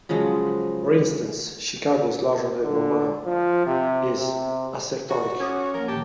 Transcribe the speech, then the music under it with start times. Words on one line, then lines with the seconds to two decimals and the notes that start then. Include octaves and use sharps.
For instance, "Chicago is larger than Omaha" is assertoric.
0.09 C#3 F3 F#3 G#3
2.62 D3
3.25 F3
3.66 C3
4.16 C3
5.10 F#4 G#4
5.40 C#4 D6 D#6 G#6
5.74 F3 A#3 A#4
5.88 A#2 D#3 G4 A5